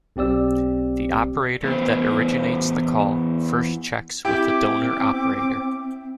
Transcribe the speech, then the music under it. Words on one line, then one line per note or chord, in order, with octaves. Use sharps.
The operator that originates the call first checks with the donor operator.
B1 C4 G4 D5 E6
E2 B3 C5
C4 E4 G4 G5 D6